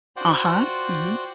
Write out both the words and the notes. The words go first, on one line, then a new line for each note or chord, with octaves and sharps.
Uh-huh, mhm.
F4 F#4 C5 D5 F#5 G5